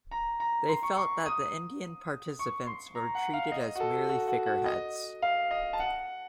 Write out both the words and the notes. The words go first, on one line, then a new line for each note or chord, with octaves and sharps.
They felt that the Indian participants were treated as merely figureheads.
A#5
A#5
C6
C#6
C#6
D#6
C#6
C6
A#5
F#5
F5
D#5
F#4
A4
F#4
F#4
F#4
D#5
F5
D#5
A5
F#5